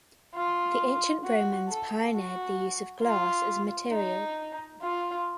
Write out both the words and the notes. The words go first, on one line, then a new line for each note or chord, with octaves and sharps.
The Ancient Romans pioneered the use of glass as a material.
F4
F#4
A4
F#4
F4
D#4
F4